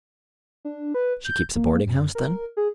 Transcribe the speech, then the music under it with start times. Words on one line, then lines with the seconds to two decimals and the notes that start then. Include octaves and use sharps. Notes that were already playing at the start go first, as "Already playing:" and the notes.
"She keeps a boarding-house, then?"
0.65 D4
0.94 B4
1.25 G6
1.55 A#3
1.85 F#2
2.15 A#4
2.57 G#4